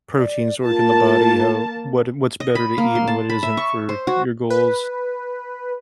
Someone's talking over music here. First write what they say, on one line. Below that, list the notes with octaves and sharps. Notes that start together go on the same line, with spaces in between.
proteins work in the body, how what what's better to eat and what isn't for your goals,
D5
A#3 F4 A5
D#5
B5
A#3
C6
A5
B5
E5
C#6
C5
F#4
B4